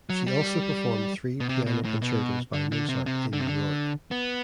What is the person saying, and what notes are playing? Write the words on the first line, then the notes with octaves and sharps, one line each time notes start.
She also performed three piano concertos by Mozart in New York.
F#3
G3
B2
C3
B2
A2
B2
D3
D3
C3
C3
D3
C3
D3
B3